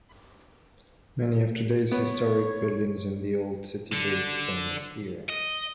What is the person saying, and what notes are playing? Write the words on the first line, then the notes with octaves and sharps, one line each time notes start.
Many of today's historic buildings in the Old City date from this era.
B3 C#5
D3
D#5